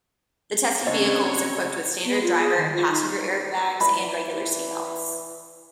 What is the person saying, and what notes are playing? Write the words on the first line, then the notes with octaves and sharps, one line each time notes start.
The tested vehicle was equipped with standard driver and passenger airbags and regular seatbelts.
C#3 C4 D4 C#5 D#5
B3
F4
G#4
D#3
F4
D#4
E3 D5 B5